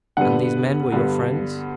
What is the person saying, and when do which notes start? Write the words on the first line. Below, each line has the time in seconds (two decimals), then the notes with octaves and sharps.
"And these men were your friends?"
0.17 G2 D3 G3 B3 F#5
0.92 G2 D3 G3 B3